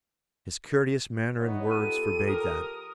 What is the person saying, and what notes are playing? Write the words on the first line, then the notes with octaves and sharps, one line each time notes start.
His courteous manner and words forbade that.
E3 B3 D#4 C#5
F3 G4 A4 D#7
A#4 D#6